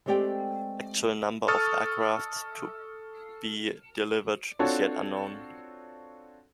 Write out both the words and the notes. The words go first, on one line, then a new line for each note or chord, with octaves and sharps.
Actual number of aircraft to be delivered is yet unknown.
G#3 A3 C4 G4 D5 G5
A4 C#6 D#6 F6 A6
C4 D4 F4 F#4 A4 C#5